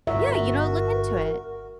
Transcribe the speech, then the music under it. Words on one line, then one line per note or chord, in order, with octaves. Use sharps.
Yeah, you know, look into it.
G1 G2 F#4 A#4 E5